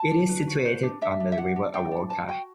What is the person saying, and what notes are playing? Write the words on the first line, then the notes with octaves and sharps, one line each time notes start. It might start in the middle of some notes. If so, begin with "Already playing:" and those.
It is situated on the River Avoca.
Already playing: A5
D4
B4
F#4
B4 C5
D4
D4 E5
D4
E5
D4 F#5
D4
D4 G5
D4
B4 A5
F#4 G5